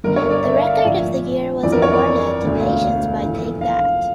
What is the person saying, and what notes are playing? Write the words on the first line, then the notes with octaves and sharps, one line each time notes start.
The Record of the Year was awarded to "Patience" by Take That.
G1 G2 D3 A#4
C#5
D5
E5
F5
E5
A#1 A2 F3
G1 F2 E3 D5
A#4
C#5
D5
E1 D2 D3 A3
F5
A#1 A2 E3 A3
F5